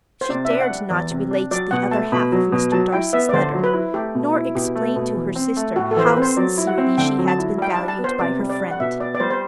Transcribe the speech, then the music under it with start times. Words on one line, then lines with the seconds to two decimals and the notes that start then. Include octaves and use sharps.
She dared not relate the other half of Mr. Darcy's letter, nor explain to her sister how sincerely she had been valued by her friend.
0.21 C5
0.30 C3 D5
0.45 E5
0.50 D4
0.61 F#5
0.70 G3
0.90 E2 D5
1.11 C3
1.31 D4
1.51 F#3 D5
1.71 B2 F#5
1.91 A3 A5
2.12 B2 B5
2.32 F#3
2.52 B2
2.72 F#3 A5
2.92 E4 G5
3.13 B3 E5
3.29 D5
3.33 D3 C5
3.54 F#3
3.64 B4
3.73 E4
3.94 A3 G4
4.15 B2
4.35 E4
4.55 B2 G4
4.75 A3
4.96 B2
5.16 E3
5.36 C4
5.57 A3
5.76 A2 F#4
5.91 A4
5.96 E3 C5
6.07 B4
6.17 C4
6.22 C5
6.37 F#3 D5
6.58 E4
6.67 F#5
6.78 C4
6.98 D3 G5
7.18 F#3
7.28 A5
7.39 E4
7.58 G3 G5
7.74 D4 A5
7.88 A5
7.99 B3
8.04 C5
8.19 C3 D5
8.39 G3
8.50 D5
8.60 D4
8.71 F#5
8.80 B2 E5
9.00 B3 D5
9.15 D5
9.20 G3 C5
9.30 C5